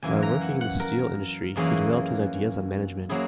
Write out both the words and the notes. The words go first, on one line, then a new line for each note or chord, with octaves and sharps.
While working in the steel industry he developed his ideas on management.
F#2 E3 A#3 G#5
A#5
F#5
F#5
A#4
F#2 E3 A#3 C#4 G#4
F#3 A#3 C#4 E4 G#4